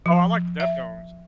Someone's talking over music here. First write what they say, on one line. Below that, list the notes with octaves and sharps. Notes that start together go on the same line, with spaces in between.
Oh, I like the Deftones.
F3
E5